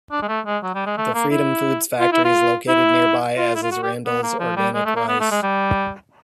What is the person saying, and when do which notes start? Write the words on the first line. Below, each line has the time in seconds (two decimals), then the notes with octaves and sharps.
The Freedom Foods Factory is located nearby as is Randall's Organic Rice.
0.12 D4
0.22 G#3
0.28 A3
0.46 G#3
0.63 F#3
0.75 G3
0.86 G#3
0.97 A3
1.14 A#3
1.31 E4
2.00 F4
2.13 E4
2.25 F4
2.68 E4
3.38 F4
3.55 E4
3.63 F4
3.71 F#4
3.83 G4
4.06 B3
4.23 A#3
4.39 F3
4.56 G3
4.74 G#3
4.85 A3
4.96 A#3
5.08 B3
5.20 A3
5.31 G#3
5.43 G3